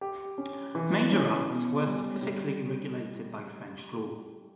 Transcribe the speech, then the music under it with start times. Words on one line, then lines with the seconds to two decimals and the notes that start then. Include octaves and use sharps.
Majorats were specifically regulated by French law.
0.01 G4
0.38 C#4
0.75 E3
1.12 C#4
1.48 B2
1.86 G3
2.22 G3